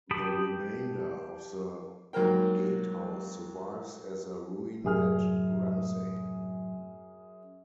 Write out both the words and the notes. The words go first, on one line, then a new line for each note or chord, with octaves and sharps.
The remainder of the gatehouse survives as a ruin at Ramsey.
G4 G5 A5 B5 D#6
G#2 F#3 A#3 A#4 G5
F#2 A2 C3 F#3 G#4 F6